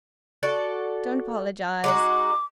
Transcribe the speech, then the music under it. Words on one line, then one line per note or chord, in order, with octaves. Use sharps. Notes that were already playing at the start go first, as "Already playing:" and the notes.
Don't apologise!
F#4 A4 D5
G#3 D#4 F#4 D6